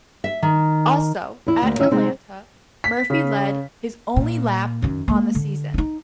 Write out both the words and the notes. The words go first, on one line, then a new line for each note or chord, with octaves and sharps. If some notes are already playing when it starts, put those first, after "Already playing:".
Also, at Atlanta, Murphy led his only lap on the season.
E5
D#3
E2 E4
D2 A#3
D#3 C#4 E5
C3 G#3 C4 D#4
B6
C#3
A#2
F#2 D#3
G#3 A#3
D3
D4 D#4